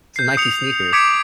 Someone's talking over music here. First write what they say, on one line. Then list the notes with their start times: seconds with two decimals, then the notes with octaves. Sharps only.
Some Nike sneakers.
0.16 G6 C7
0.37 D#6 C#7 F7
0.93 D6 G#6 B6 C#7 D7